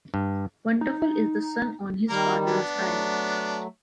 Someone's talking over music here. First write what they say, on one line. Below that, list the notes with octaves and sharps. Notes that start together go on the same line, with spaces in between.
Wonderful is the son on his father’s eyes.
G2
D#4
D#3 G3 A#3 A#4
B3 D4
F#3 A3